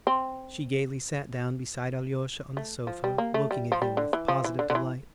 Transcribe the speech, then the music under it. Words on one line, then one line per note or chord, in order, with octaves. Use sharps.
She gayly sat down beside Alyosha on the sofa, looking at him with positive delight.
C4
A3
F3
G3
A#3
A3
G3
F3
G3
D3
E3
F3
E3
D3
D3
E3